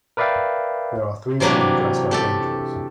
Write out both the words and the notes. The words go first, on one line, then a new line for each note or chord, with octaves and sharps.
There are three women dressed like angels.
A#4 B4 D5 E5 F5 G5
C3 E3 F#3 A#3 D4 G4
A3 G4 A4